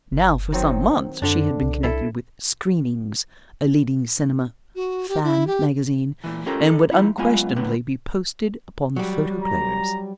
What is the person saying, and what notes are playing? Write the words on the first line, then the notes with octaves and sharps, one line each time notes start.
Now, for some months, she had been connected with Screenings, a leading cinema "fan" magazine, and would unquestionably be posted upon the photoplayers.
F#1
D#3 F#3 C4
F#2 D3 D4
C2
E4 A4
F#4
G4
E4
G4
A#2 E3
C#4 F4 G4 A4 A#4 A#5
D#4 A4
F3 D#4 E4
F#2 G#3 B3 F4 G#5
A2 D3 B3
F#3 G3
A#5